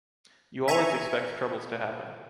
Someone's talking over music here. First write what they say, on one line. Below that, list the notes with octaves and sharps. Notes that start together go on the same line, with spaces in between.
You always expect troubles to happen.
E5 G#5 A#5 C#6